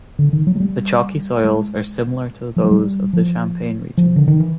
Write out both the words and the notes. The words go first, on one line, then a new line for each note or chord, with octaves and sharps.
The chalky soils are similar to those of the Champagne region.
D3
D#3
F#3
G#3
G3
G#3
F3
F#3
G3
F3
F3
D3
D#3
E3